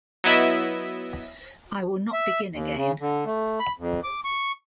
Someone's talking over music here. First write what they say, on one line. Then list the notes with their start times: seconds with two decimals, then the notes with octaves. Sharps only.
I will not begin again.
0.24 F#3 B3 E4 D#5 E5
2.13 E5
2.52 D#2
2.76 C#3
3.01 D3
3.26 A3
3.60 B5
3.79 F2
4.04 D6
4.25 C#6